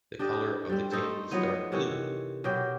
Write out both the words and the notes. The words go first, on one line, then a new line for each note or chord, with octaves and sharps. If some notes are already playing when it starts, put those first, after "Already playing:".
The color of the tape is dark blue.
D4 G4 D5 D#5
G3 C4
A3 D#4 A4 C5
F3 F#3 B3 D#4
C3 D#3 E3 C#5
B2 F#3 G4 G5